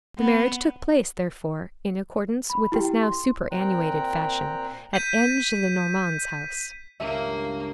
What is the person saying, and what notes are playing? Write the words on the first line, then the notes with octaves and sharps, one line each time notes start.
The marriage took place, therefore, in accordance with this now superannuated fashion, at M. Gillenormand's house.
B3
B5
E4 G4 G5
C6
A#2 C4 G5 A#5 F#6
G6 B6 D#7
C#2 G2 A#3 E5